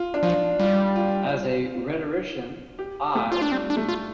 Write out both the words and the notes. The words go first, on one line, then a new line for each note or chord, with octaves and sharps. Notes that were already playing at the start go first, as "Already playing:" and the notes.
As a rhetorician, I.
Already playing: F4
D4
F3 F4
G3 F4
F4
G4
A3
F4
D4
G3 C4
D4
A3
F4